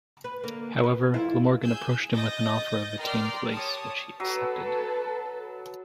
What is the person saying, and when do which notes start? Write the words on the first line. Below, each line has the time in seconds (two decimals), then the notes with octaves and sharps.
However, Glamorgan approached him with an offer of a team place which he accepted.
0.24 B4
0.44 D3 A#3
0.83 B4
1.14 F2 E4 F4
1.62 G#4 G#5 E6 G6
2.12 D#5 G6 A6 A#6
2.99 A#4 D5 G5 C6 F6
3.53 G4 C#5 A5 D#6
4.20 F#3 A4 B4